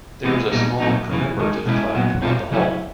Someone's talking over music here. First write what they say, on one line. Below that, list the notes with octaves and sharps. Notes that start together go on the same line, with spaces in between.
There is a small commemorative plaque on the Hall.
C3 E3 G#3 B3
A#2 G3 B3 D#4
A#2 F#3 A3 C4 D#4
F#2 C#3 E3
G#2 D#3 G#3
B2 G#3 C#4 E4
A#2 F#3 B3
B2 G3 C4 F4
C#3 F#3 A3 C#4 E4